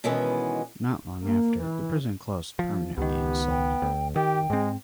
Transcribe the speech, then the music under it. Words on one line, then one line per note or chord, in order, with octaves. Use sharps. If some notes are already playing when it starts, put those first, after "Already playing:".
Not long after, the prison closed permanently and sold.
B2 D#3 E3 G#3 B3 C#4
A#3
E3
F3
C#2 D#3 B3 G4
G5
D2
D#3 G4 G5
G#2 G#3 C4